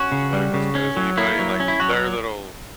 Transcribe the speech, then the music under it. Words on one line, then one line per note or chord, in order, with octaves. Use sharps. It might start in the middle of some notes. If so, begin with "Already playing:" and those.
better as good as anybody, and, like, their little
Already playing: C#4 F#4
C#3
G3
C#3
C#4
F#3
A#3 E4
F#3
C#4
E4
F#3 F#4